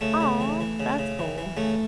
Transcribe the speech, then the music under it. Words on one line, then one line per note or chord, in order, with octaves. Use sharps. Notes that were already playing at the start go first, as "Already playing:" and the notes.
Aw, that's cool.
C#3 A3
C#3
E3
E3
C#3
C#3
E3
E3
C#3 A3